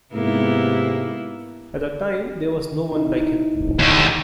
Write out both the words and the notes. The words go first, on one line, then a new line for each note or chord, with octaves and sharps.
At the time, there was no one like him.
G#2 C3 A#3 B3 E4
D#4 E4
D#2 D3